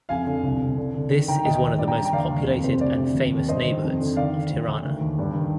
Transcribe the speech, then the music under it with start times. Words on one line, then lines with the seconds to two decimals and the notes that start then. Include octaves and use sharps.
This is one of the most populated and famous neighborhoods of Tirana.
0.09 F2 F5 G#5
0.26 D3
0.43 C2
0.61 C2
0.77 D3
0.94 D3
1.11 D#3
1.28 D#3 G5 A#5
1.45 D#2 D#5 G5
1.62 D#3
1.79 G2 D5
1.87 G5 A#5
1.96 G2
2.05 G5 A#5
2.13 D#2 D5 F5
2.30 D#2
2.47 F2
2.64 C3 C5
2.81 D2 D5
2.98 C3
3.15 D#2
3.32 D#2
3.48 G2 C5 D#5
3.66 D#3
3.82 F2
4.00 D3
4.16 D#3 D5 F5
4.33 D#3
4.50 D2
4.68 D2
4.85 D#3
5.01 D#2
5.19 G2
5.35 D#3